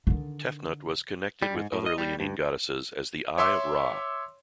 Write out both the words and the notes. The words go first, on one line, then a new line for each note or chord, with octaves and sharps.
Tefnut was connected with other leonine goddesses as the Eye of Ra.
D3 D#3
G3
G#2
A2
D#5
G3
G2
C#5 E5 C6 D6 E6